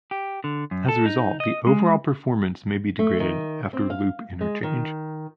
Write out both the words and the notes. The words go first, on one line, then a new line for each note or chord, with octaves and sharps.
As a result, the overall performance may be degraded after loop interchange.
G4
D3
F#2
A4
D#4
D#5
G#3
A3
D#3
C4
F5
G#3
D#3